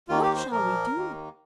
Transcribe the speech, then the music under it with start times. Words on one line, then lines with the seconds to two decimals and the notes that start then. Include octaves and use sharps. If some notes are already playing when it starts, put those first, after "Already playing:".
What shall we do?
0.08 D#2 D#3 A#3 F4
0.23 G4
0.36 C5
0.51 A#2 F3 A#3 A#4
0.94 D#2 D#3 A#3